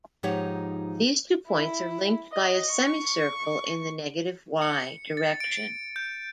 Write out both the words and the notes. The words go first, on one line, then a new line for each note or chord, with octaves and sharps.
These two points are linked by a semicircle in the negative Y direction.
G#2 F3 D#4 G4 C#5 F#5
E4
D#5
C#6
C#7
A6
D7
G6